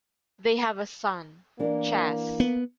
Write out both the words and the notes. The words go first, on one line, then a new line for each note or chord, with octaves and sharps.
They have a son, Chas.
E3 A#3 D4 A#4
B3